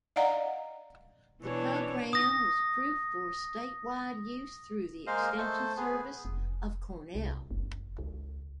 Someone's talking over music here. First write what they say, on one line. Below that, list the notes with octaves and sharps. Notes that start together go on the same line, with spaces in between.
The program was approved for statewide use through the extension service of Cornell.
D5 D#5 F5 F#5 A#5
B2 E3 D4 C#5
D#6 A#6
G#3 A#3 G#4 C5 D#5 F5
A3 A4 C5
B3 G#4
F1
C2
F#1
C#2